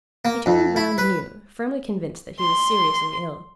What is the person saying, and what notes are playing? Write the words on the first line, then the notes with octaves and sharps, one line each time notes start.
He turned round anew, firmly convinced that he was seriously ill.
A#3
F2
E4
B4
C6